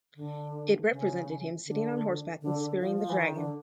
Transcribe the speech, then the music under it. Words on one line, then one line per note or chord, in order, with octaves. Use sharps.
It represented him sitting on horseback and spearing the dragon.
D3
C#3
D3
D3
D3
F3
F3
E3
D#3
D3